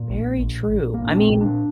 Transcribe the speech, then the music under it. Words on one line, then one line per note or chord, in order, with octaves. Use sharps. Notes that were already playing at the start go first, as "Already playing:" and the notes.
Very true. I mean
Already playing: A#2
A#1
A#1
A#1
A#3
A#2
D4
C4
A#2
D4